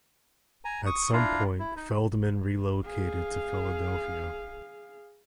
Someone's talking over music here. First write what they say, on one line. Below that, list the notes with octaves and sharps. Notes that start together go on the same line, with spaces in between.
At some point Feldman relocated to Philadelphia.
G#5 A#5
C#6 D#6
D4 E4 F4 F5 A#5
E4
D#4
G#4 F5